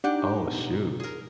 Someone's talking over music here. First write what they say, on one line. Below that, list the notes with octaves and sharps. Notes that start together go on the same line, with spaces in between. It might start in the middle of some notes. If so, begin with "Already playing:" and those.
Oh, shoot
D4 D#4 G4 F#5
B2
G#4 A#4